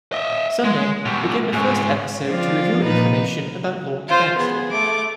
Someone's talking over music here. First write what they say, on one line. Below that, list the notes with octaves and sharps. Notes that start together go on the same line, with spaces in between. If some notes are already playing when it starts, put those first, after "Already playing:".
"Sunday" became the first episode to reveal information about Lorne's backstory.
D#5 E5
G#3
B2 G3
G#2 C#3
F3 C4 D4 F4
A#2 D#4 B4
F4 C5 F5
B3 G#4
A3 D6